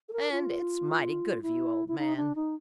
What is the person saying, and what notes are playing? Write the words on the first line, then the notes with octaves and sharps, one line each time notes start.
And it's mighty good of you, old man.
A4
A#4
F4
E4
E4
D#4
D4
D#4